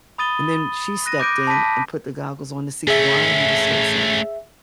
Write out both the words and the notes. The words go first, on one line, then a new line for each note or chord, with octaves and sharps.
and then she stepped in and put the goggles on to see why he was so excited,
B5 D#6 A6 D#7 G7
F#6 A#6 D#7
D6 G6 A#6 D7 D#7
A5 B5 A#6 B6 D#7
A3 C#4 G#4 E5